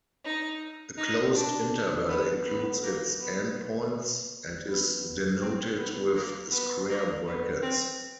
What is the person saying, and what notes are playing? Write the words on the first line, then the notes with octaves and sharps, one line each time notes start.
A closed interval includes its endpoints, and is denoted with square brackets.
D#4
D#4
D4
B3
B3
A#3
B3
B3
C4
B3
A#3
B3
A#3
B3
C4